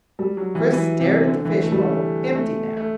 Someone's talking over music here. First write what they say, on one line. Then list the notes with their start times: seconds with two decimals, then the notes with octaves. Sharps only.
Chris stared at the fishbowl, empty now.
0.19 G3
0.37 F#3
0.55 E3
0.73 E3
1.00 C3
1.27 D3
1.45 E3
1.63 A3
1.72 G3
1.82 A3
2.35 A3
2.77 A3